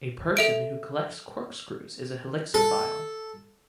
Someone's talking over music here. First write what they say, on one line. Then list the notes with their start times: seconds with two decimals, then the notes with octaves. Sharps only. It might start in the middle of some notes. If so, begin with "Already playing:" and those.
A person who collects corkscrews is a helixophile.
0.37 A4 E5 D7
2.54 A4